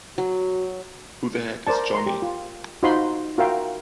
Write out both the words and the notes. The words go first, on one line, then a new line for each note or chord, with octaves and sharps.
Who the heck is Johnny?!
F#3 F#4
A#4 C5 D5 A5
A#5 C6
G4
F4
D#4 F4 F#4 C5 B5 C6
F4 F#4 A#4 E5 F5 G5